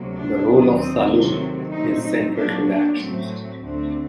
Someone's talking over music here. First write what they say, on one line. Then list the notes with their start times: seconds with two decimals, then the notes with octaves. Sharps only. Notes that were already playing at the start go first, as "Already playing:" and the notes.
The role of Salud is central to the action.
Already playing: D2 C3 F#3 A#3
0.15 D4
0.46 D#2 D#3 F#3
0.77 C4
1.09 C3 D#3 F#3 A3 C4
1.72 A#2 F#3 A3 C4 D#4
2.03 D#4
2.35 A#2 F#3 A#3 D4
2.66 D4
2.97 A2 F#3 A3 C4
3.60 D2 D3 A3 C4